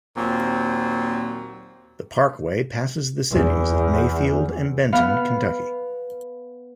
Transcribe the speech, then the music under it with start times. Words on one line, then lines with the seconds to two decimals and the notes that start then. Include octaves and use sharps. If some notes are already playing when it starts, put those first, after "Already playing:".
The parkway passes the cities of Mayfield and Benton, Kentucky.
0.16 D#2 A#2 F#3 C4
3.32 E2
4.92 B3 F5